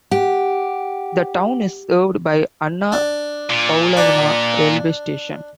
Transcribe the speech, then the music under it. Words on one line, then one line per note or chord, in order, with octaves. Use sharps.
The town is served by Anna Paulowna railway station.
G4 F#5
D4
A#2
D4